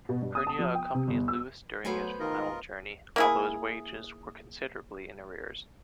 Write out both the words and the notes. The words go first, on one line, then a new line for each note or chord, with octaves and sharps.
Pernia accompanied Lewis during his final journey, although his wages were considerably in arrears.
B2
G2
D#6
A5
F3
G5
C3
G1
E6
F#3 A3 B3 F#4 A4 C5 G#5
D#3 F4 A#4 D#5
A#3 E4 G#4